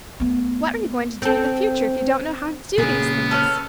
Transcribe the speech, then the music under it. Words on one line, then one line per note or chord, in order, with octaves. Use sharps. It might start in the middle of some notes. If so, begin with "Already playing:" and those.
"What are you going to do in the future if you don't know how to do these things?"
A3 B3
C4 A4
A#2 C#3 B3 G#4
A4 B4 C#5 F6